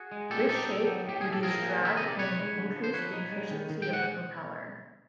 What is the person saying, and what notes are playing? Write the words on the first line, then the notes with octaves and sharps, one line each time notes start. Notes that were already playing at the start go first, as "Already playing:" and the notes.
This shape reduced drag and increased the efficiency of the propeller.
Already playing: F#4 G#4
G#3
A#2 G4 A4
D#4 G4 A4
D#4
F#3
A2 G4
A2 G#4
A4
F3 G#4 A#4
A#3
D#3 E5
C3 D#5
D5
C3 B4 C#5
G#3
D3
F3
C5
F3 B4 C#5
D#4
G#3
D#3
D#3
G5
G#3 F#5